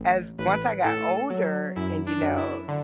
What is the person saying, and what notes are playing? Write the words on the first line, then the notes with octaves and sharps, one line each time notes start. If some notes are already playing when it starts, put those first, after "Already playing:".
as once I got older and, you know,
Already playing: A1
A1 B4
A2 A4
F#3
F#2 E4
D4
F#2
E4
D3